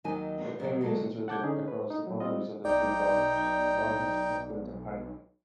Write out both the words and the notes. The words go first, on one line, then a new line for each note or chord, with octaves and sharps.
The area is situated across the boundaries of three boroughs: Barnet, Enfield and Haringey.
D#2 D#3 F#3 D#4 G#5
D#2 B2 D#3 F#3 B3
D2 F#3 G#3 A4
F#5 A5 D6 G6 G#6
D3 C#4 D#4 G#4
B4
D#4
A#2 F#3
G3 C4 F4 D#5
B1 D#4 D5 G5